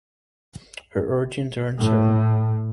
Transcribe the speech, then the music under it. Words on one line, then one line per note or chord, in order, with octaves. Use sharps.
Her origins are uncertain.
A2